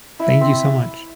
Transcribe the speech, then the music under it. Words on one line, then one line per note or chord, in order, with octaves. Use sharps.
Thank you so much.
E4 E5
C4